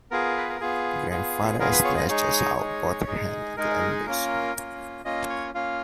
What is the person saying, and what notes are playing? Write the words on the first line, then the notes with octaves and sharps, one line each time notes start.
Grandfather stretches out both hands to embrace him.
B3 F4 G#4 A#4
B4
A#4
B3 F4 G#4
B3 F4 G#4
B3 F4 G#4 A#4
B4
C#5
D#5
G#3 D#4 G#4 C#5
G#3 D#4 G#4
G#3 D#4 G#4
G#3 D#4 G#4 A#4
A#3 C#4 F4 A#4
A#3 C#4 F4
A#3 C#4 F4 D#5
C#5
A#3 C#4 F4 F5